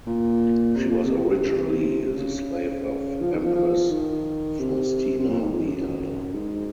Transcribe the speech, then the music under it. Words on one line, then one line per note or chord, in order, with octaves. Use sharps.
She was originally the slave of Empress Faustina the Elder.
A#2
C3
A#2
C3
C#3
F3
D#3
F3
F3
D#3
C3
C3
A#2
G#2
F2
G#2
F#2
G#2